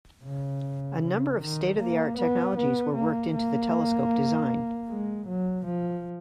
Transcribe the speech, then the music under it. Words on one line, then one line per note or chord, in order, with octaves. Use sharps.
A number of state-of-the-art technologies were worked into the telescope design.
C#3
C#3
D#3
A#3
B3
B3
A#3
A#3
G#3
F#3
F3